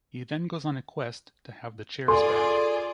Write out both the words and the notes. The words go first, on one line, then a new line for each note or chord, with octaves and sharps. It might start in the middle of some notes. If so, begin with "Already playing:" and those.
He then goes on a quest to have the chairs back.
F4 G#4 A4 D5 G#5 C6